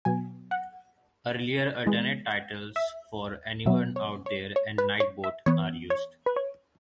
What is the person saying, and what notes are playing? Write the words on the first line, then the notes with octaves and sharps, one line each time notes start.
Earlier alternate titles for "Anyone Out There" and "Night Boat" are used.
B2 F#3 B3 G#5
F#5
E3 G#3 B3
E5
B2 F#3 B3 E5
C#5
C#5
C#5
B4
C#5
E5
E3 B3 C#5
C#5
B4
C#5